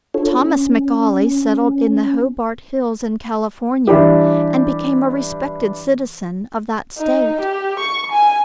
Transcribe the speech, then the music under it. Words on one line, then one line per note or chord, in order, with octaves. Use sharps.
Thomas McAuley settled in the Hobart hills in California and became a respected citizen of that state.
D4 F4 A4 C#5
C#4
E3 G3 D4 E4 G4
D#4
G4
C#6
G#5